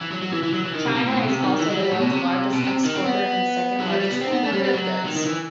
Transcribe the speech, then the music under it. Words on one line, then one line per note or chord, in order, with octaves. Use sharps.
China is also the world's largest exporter and second-largest importer of goods.
E3
F#3
F#3
E3
E3
F#3
E3
D#3
C3
B2
A2
B2
C3
D#3
E3
F#3
G3
A2
B2
C3
B2
C3
D#3
C4
B3
F#3
G3
G3
B3
C4
B3
A3
G3
G3
F#3
D#3
D#3
E3